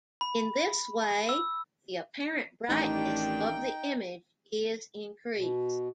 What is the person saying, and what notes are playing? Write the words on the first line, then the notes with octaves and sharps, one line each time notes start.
In this way, the apparent brightness of the image is increased.
B5
E6
A1 D#3 G3 D4 D#4 G5
B2